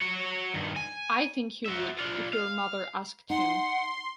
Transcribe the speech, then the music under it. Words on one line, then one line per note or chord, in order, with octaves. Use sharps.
I think he would, if your mother asked him.
F#4 C#5
G2 D#3
G#5
F#4 E5
D4 F4
F5
D#4 F#5 C6